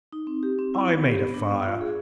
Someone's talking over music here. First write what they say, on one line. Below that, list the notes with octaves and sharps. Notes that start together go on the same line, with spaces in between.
I made a fire.
D#4
C4
G4
C4
E4
B3
G4
B3
D4
B3
F4
G#4